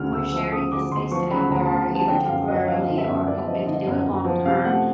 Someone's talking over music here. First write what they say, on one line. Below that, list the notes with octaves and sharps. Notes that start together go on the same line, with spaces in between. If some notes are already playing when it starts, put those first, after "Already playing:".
we're sharing this space together either temporarily or hoping to do it long-term."
Already playing: D2 C#3 F6
D2 E6
F3 E6
C#3 D#6
D2 D6
D2 C6
F3 C#6
C#3 B5
D2 A#5
A5
D2
F3
A5
D3 G5
F#2 F5
F#2 D#5
F3 F5
D3 F5
E5
F#2
F#2 D5
F3 D#5
D3 D#5
F#2
F#2
F3
C3 F5
A3 F#5